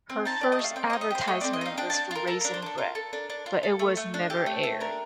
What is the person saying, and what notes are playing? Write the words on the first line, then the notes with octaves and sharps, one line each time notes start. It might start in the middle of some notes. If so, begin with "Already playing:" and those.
Her first advertisement was for Raisin Bran, but it was never aired.
C4
D#4 A5
G4 D5
D#5
A3 F5
C4 G5
D#5
D#4
D#5
G4 C5
F5
A3 D#5
C4 D5
D#5
D#4 F5
D4 G5
D4 A5
F4 A#4
A4 A#4
D4 A#4
C5
D4 A4
F4 A#4
A4
D4
D4
F4
A4
A3
A3
D4
G4 A4
A3
A3
D4 A#4